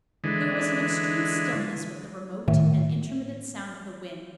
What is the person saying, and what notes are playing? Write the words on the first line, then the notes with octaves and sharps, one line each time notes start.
There was an extreme stillness with the remote and intermittent sound of the wind.
D3 E3 G#3
A2 D#3 A3